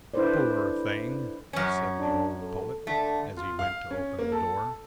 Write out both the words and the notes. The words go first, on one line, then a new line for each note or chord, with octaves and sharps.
"Poor thing!" said the old poet, as he went to open the door.
D4 E4 A4 B4 C5 D5
F#2 C#4
D4
A4
D3 A3
F4
F5
C#4
A#3
A4